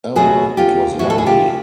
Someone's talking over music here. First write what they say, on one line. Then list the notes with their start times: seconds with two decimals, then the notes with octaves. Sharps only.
Oh, it was lovely!
0.16 B2 F#3 A3 F#4 G#4
0.57 F4 G4
0.99 A2 E3 G#3 E4 F#4
1.10 A4
1.18 G#4
1.26 F4 G4